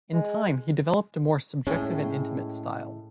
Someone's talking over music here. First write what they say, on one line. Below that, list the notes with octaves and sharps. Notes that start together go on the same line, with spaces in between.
In time, he developed a more subjective and intimate style.
G#3
A2 G#3 C#4 G#4 C#5 G5